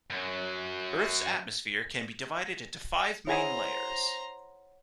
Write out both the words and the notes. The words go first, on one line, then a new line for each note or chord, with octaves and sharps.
Earth's atmosphere can be divided into five main layers.
F#2 F#3
E4 G#4 C5 C#5 F#5 G#5 A#5